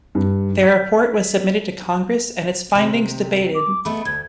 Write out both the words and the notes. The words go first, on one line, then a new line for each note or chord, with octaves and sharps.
Their report was submitted to Congress and its findings debated.
G2
B6
C3 D#3
D6
G#3 A3 B3 B5
D2 G#6